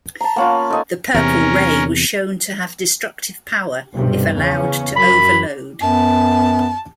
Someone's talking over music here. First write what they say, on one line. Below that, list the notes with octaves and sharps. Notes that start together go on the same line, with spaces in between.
The Purple Ray was shown to have destructive power if allowed to overload.
A5 A#5
A#3 B3 C#4 F4 F#5
D#4 A4 D#5 G#5
E2 C3 C#4 A#4
B1 G2 C3
E2 C#3 C#4
F#2 B5
F#2 B3 A5